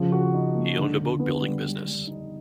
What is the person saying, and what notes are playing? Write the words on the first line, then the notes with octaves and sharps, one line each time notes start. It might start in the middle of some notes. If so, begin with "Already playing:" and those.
He owned a boat building business.
Already playing: C#3 F3
F#4
D#4
A#3
D3
D3
B3
G3
G3
G3
D#4